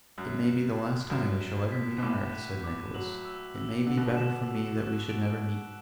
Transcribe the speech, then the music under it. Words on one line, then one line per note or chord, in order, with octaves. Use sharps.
'It may be the last time we shall ever meet on earth,' said Nicholas, 'it may be better for me that we should never meet more.'
F#2 F#6
E7
E7
F#2 E7
E7
B6
B2
A2 D6
F#6
D6
F#3 F#7
E6
E6
D3 E6
B2
D3
E7
E6
F#6
D7
D7